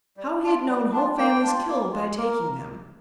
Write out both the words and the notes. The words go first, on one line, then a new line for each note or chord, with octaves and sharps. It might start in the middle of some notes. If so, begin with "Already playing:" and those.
How he had known whole families killed by taking them.
G3
D4 F4
G3
D4 F4
A#3 G5
D4 F4
A#3
F4
A#3 A#4